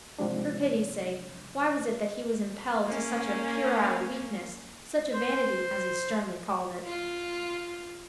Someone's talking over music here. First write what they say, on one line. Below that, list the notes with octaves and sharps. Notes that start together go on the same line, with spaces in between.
For pity's sake, why was it that he was impelled to such a puerile weakness--such a vanity, as he sternly called it.
G#2 C3 F3 G3 D4
A#3 C#4
C5
F4